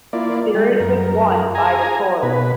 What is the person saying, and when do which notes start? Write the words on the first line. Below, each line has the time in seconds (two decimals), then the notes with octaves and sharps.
The series was won by Victoria.
0.13 A#3 E4 F4 D5
0.54 G3 G#3
0.80 F#2 A#4
1.55 G#4 G#5 A#5
2.23 B2 B4